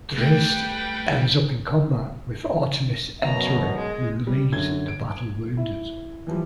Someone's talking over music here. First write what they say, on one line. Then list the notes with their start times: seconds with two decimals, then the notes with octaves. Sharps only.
Drizzt ends up in combat with Artemis Entreri, who leaves the battle wounded.
0.18 G3 A3 B4 G5
3.23 F#2 B2 A#5
3.76 G#3
4.27 G3
4.52 F#2 D3 G#6 G7
4.88 D7
5.57 E4
6.27 E3 F3 G3